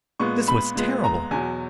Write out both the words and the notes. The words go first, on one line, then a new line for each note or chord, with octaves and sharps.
This was terrible!
A#2 G#3 B3 C#6
B5
A#2 G#3 B3
A#5
E2 B2 F#3 G#5